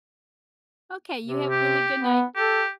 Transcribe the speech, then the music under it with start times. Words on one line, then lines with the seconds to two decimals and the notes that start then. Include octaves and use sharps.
Okay, you have a really good night.
1.24 C3
1.51 G4
2.02 B3
2.36 G4 A4